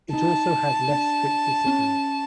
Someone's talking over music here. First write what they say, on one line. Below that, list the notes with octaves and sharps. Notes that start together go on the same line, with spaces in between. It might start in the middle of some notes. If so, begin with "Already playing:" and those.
It also had less strict discipline.
D#4 A5
D4
C#4